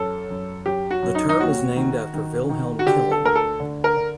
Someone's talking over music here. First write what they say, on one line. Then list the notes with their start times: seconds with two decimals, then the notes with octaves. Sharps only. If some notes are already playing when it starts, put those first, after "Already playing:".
The term is named after Wilhelm Killing.
Already playing: F#2 A4
0.30 F#2
0.66 F#2 G4
0.91 F#4
1.02 F#2
1.15 D#4
1.29 D#4
1.39 D#2 F#4
1.76 D#3
2.14 D#3
2.49 D#3
2.79 F#4
2.86 D3 G4
3.11 A4
3.24 D2 A#4
3.35 A4
3.60 D3
3.84 A#4
3.96 D3